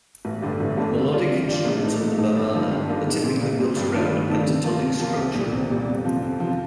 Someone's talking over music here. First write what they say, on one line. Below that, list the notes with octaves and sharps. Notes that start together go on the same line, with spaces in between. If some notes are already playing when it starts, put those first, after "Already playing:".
The melodic instruments of the Bamana are typically built around a pentatonic structure.
A1
G2 D3 A3
A1
G2 D3 A3
C3
G3 D4 F4
C3
G3 D4 F4
A#1
A2 A3 D#4
A#1
A2 A3 D#4
G2
D3 F3 A#3 D#4
G2
D3 F3 A#3 D#4
A#1
A#2 G3 C4
A#1
A#2 G3 C4
G2
D#3 A3 D4 F4
G2
D#3 A3 D4 F4
C3
F3 A#3 F4
C3
F3 A#3 F4
C2
A#2 G3
C2
A#2 G3
F2
C3 F3
F2
C3 F3